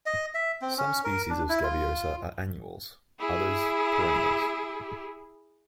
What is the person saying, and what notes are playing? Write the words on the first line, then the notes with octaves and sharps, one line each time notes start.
Some species of "Scabiosa" are annuals, others perennials.
D#5
E5
C4
C#4
A#4
D4
E4
F4
E4 G#4